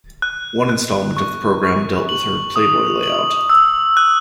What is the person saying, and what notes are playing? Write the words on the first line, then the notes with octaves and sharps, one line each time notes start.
One installment of the program dealt with her "Playboy" layout.
F#6
F#6
C#6
C#6
F#7
D#6
F#7
E6
F#6